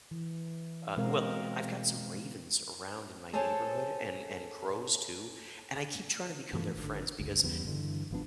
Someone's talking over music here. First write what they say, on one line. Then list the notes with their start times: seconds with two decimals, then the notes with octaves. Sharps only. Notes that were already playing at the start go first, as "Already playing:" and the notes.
Uh, well, I've got some ravens around in my neighborhood and and crows too, and I keep trying to become their friends, because
0.11 E3
0.97 B2 G#3 C4 A#4 F5
3.33 G#4 A4 C5 C#5 G#5 A5
6.53 G2 E3 F3 A3
6.75 G#1 D3
7.19 G1 C#2
7.43 E2 C#3 G3 B3
7.65 G2 D3 E3
8.11 G#1 F3 B3 D4